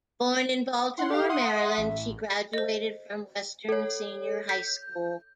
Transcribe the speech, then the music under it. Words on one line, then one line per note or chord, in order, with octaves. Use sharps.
Born in Baltimore, Maryland, she graduated from Western Senior High School.
E4 F#5 C6
G4 A4 F5
E5 F#5 C6 D#6
A1
C5 D#5
A4 C#5
G6 B6